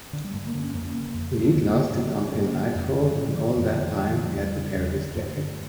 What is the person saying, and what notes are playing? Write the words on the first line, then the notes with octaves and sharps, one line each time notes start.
The heat lasted until nightfall, and all that time he had to carry his jacket.
D3
G3
G2 A3
A#3
D3
C#4
F2 A#3
C#4
C#3 A#3
F2
C#3
A3
E2 A#3
D3
G2
D3 D4
C#4
G2 A#3
D3
F2
D3
G2 C#4
D3 E3
F2
D3
E3
F2 D3
E3
D3
F3
E2 G3
C#3
E2
D3
G2 A3
D3